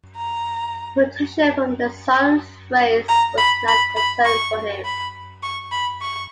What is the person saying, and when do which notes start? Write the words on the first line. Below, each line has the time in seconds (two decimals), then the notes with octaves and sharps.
Protection from the Sun's rays was not a concern for him.
0.16 A#5
3.08 A#5
3.38 B5
3.68 B5
3.96 B5
4.25 C#6
4.84 B5
5.43 C#6
5.71 B5
6.01 C#6